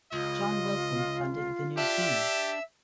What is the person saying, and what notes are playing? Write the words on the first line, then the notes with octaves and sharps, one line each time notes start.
John Wilson funded the new team.
C#2 F4 D#5
D4 G4 E5 E6